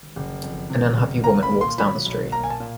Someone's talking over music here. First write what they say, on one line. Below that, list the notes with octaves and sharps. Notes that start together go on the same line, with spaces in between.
An unhappy woman walks down the street.
F#1
F2
C3
F#1
A#3 A#5
B5
A#2
C6
F#3 B5
B1
A#3 A#5
G#5
A5
A#2